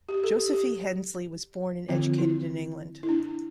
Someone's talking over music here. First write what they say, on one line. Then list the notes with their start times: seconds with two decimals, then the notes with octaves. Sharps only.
Josephy Hensley was born and educated in England.
0.09 G4
0.24 A4
0.39 G4
0.53 G4
1.88 D3 F3 C4 F4
2.18 E4
3.03 E4
3.09 D4